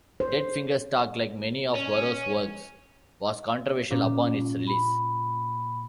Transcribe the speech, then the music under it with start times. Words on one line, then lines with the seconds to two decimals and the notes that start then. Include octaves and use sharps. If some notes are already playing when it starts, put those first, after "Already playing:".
"Dead Fingers Talk", like many of Burroughs' works, was controversial upon its release.
0.20 C5
1.75 C#4
3.91 A#2 C#4
4.67 B5